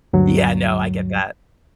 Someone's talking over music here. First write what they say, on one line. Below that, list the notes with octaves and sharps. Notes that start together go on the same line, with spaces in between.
Yeah, no, I get that.
D2 G2 F#3